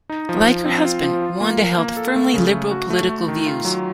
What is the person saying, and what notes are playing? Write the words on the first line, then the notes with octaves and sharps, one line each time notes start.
Like her husband, Wanda held firmly liberal political views.
D#4
F3
F3
C4
F4
F3
F4
A#3
A#4
A#3
A4
A3
C#3
A3
F#4
A3
A3
D#3
F4
F#3